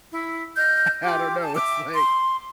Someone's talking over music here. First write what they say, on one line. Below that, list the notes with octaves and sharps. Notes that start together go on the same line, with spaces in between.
I don't know, it's like,
E4
D#5 F6 G6
F4 G4 D6
G#5 A5
E5 D6
C6